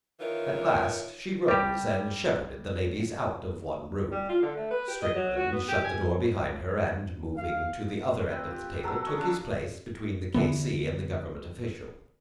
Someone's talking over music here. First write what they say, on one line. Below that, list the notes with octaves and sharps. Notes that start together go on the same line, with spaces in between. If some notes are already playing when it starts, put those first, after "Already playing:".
At last she rose and shepherded the ladies out of one room. Strickland shut the door behind her, and, moving to the other end of the table, took his place between the K.C. and the Government official.
D#3 E3 F4 A#4 C#5
G3 G4
G3
F4
D3
A3
B4
G4
D#5
F#3
F#4
B3
G4
G#5
F5
C4 B4 G5
F4 G4
F#3 A4 A#4 E6
C#4 D#5 C#6
D4 F4 A4 A5
D3 E3 B3